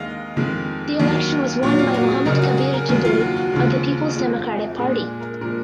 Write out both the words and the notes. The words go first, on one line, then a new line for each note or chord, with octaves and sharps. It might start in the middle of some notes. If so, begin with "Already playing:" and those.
The election was won by Mohammed Kabir Jibril of the Peoples Democratic Party.
Already playing: D#2 D#3 G#3 D#5 F5
F2 D#3 G#3
D#2 D#3 F#3
A#2 F#3 C#5
F4
F#4
G#4
C#2 C#3 F#3 A#4
F#4
G#4
A#4
D#2 D#3 F#3
F4
F#4
F#4
D#2 C#3 F3 G#3
F2 F3 G#3
A#2 G#3 G#4
A#4
A#2 F3 G#3 A#4